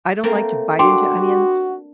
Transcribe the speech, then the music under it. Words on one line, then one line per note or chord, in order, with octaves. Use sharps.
I don't like to bite into onions.
A3 A#3 C4
D4 F#4 G5 C6 D6